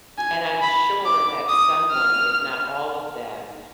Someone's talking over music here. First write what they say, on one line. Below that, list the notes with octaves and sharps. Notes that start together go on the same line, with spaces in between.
And I'm sure that someone, if not all of them,
G#5
B5
D6
D#6
F6